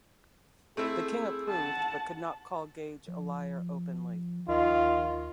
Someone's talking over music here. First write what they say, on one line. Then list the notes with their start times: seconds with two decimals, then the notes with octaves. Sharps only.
The king approved, but could not call Gage a liar openly.
0.77 A3 C4 E4 G#4
1.49 F#5 A5
3.08 F3
4.48 D2 D#3 F4